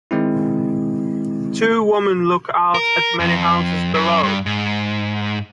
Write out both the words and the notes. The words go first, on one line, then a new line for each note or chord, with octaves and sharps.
Two women look out at many houses below.
D#3 G#3 C4 E4
A#4
F2
F#2
G2
G#2